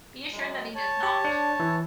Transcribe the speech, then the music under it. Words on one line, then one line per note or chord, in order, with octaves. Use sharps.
Be assured that he does not!
F#2 G#3
C#5 A5
G4
D4
E3